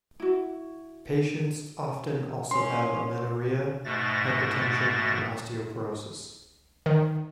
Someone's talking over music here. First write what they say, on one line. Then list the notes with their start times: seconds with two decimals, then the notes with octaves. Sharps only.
Patients often also have amenorrhoea, hypertension and osteoporosis.
0.20 E4 F#4
2.51 C#4 C6
3.84 G#2 B2 A3 A6 A#6
6.86 D#3